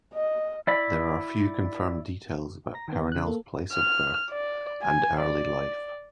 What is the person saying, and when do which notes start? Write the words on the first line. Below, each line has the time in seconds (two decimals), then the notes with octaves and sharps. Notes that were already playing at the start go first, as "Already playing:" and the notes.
There are few confirmed details about Perenelle's place of birth and early life.
0.14 D#5
0.67 E4 D5 B5
2.74 A#5 A#6
2.88 D#3 B3
3.12 C#3 F#6
3.25 A#3 A4
3.72 F6
4.30 D5
4.82 G#5
5.20 D5